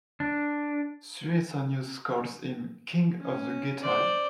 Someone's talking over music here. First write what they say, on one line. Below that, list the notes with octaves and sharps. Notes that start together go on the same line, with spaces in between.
Suetonius calls him king of the Getae.
D4
C#4
C5 D5